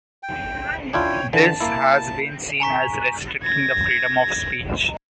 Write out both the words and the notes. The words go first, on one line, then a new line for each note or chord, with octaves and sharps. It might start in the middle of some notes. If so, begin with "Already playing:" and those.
This has been seen as restricting the freedom of speech.
G5
D4 E4 F4 C#5 G5
D3 E3 A5
A#3 E4
G#5 A#5 C#6 B6
G#6 A#6